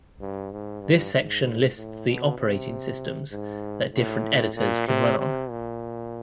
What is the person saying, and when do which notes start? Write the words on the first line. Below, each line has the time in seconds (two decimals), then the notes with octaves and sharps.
This section lists the operating systems that different editors can run on.
0.21 G2
0.52 G#2
0.83 G2
1.14 G#2
1.77 A2
2.07 B2
2.39 C3
3.32 G#2
3.94 A2
4.56 A#2
4.88 C3
5.19 C3
5.50 A#2